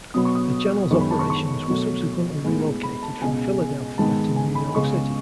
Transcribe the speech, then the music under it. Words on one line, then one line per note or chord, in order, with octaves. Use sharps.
The channel's operations were subsequently relocated from Philadelphia to New York City.
B2 F#3 B3 D#6
C#6
D#6
F#2 D#3 G#3 B3 C#6
B5
A5
C#6
C#6
B2 F#3 A3
A2 G#3 B3
B5
A5
C#2 B2 G#3 G#5
G#2 D#3 G#3 B3 A5
G#5
B5
C#2 C#3 G#3 B3 C#6